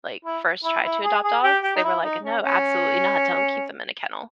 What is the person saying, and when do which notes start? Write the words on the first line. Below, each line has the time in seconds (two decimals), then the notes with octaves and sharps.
like, first tried to adopt dogs, they were, like, "No, absolutely not, don't keep them in a kennel,
0.25 E4
0.65 E4
0.84 E4
1.04 G#4
1.24 G#4
1.44 G4
1.63 G4
1.76 D#4
1.84 E4
2.03 D#4
2.24 C#4
2.43 C#4